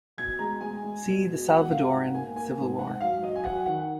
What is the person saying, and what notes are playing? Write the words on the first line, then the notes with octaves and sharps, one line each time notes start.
See the Salvadoran Civil War.
B2 G#6
G#3 A#5
G#3 G#5
G#3
B2
B2
G#3 F#5
B2 F5
G#2 F#5
A#3 G#5
A#3 G#5
G#2
G#2 F#5
F#3 F5
F#3 D#5
G#5
F#3 F#5
D#3 F#5